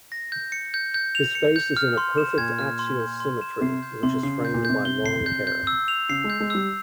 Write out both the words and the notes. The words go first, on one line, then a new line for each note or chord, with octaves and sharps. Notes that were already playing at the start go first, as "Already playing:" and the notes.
His face is in a perfect axial symmetry which is framed by long hair.
A#6
G6
C#7
G6
G6
F7
C#7
G6
F6
C6
E7
A#2 G#6
F6
C6
G6
C6
E7
C3 C7
G6
C3 C6
C#3 C7
C#3
G6
A#2
C3 G6
C3 G7
C7
G6
G6
E6
F7
C#3 C7
G#3
G6
G#3
G3 E6